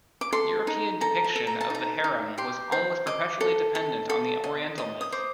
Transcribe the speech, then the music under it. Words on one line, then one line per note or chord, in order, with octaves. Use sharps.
European depiction of the harem was almost perpetually dependent on the Oriental myth.
D6
A4 C6
D#4
A4 A#5
A5
A4
A#5
A5
D#4 A#5
D#4
G4 C6
C5
D#5 D6
A4
A4
A4
D#5
D#5
D#6
C5 D6